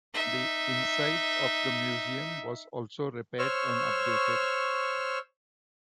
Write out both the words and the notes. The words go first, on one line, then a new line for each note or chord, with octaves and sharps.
The inside of the museum was also repaired and updated.
D#4 E5
C5 C#5 C#6 E6 F6